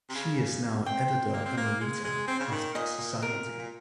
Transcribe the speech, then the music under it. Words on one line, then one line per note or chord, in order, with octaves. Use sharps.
She is now Editor Emerita of the Society.
C3
C#3
C#3
C4 G5
A#3
C4
A#3
G#3
G#3
C4
C#3
D#3
A#2 D#5
A#2
C3 A#4
A#2
A#2